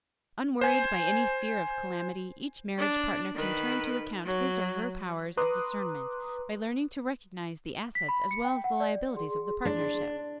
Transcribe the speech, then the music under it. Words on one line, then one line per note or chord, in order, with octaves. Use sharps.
Unworried by any fear of calamity, each marriage partner can turn to account his or her powers of discernment by learning to recognize the assets as well as the liabilities of the partnership.
C5 G#5
D4
D#3 B4
F#3
B4 A#5 C6 D6 D#6 F#6
B6
B5
C#7
G5
F#5
D5
G#4 C6
D4